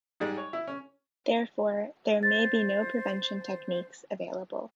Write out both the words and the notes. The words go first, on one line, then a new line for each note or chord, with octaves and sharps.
Therefore, there may be no prevention techniques available.
G#2 G3 G#3
C#5
E4
C#4
C5 A6